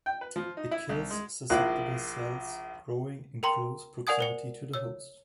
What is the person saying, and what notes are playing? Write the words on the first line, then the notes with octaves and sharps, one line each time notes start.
It kills susceptible cells growing in close proximity to the host.
G5
B4
F3
D#4
E4
C2
G#3
A#1 F3 A#3 E4 F#6
A#4 G5 A#5 C6
A#4 D5 F#5 G#5 D#6 G#6
A#4 C5 C#7
C#5 E6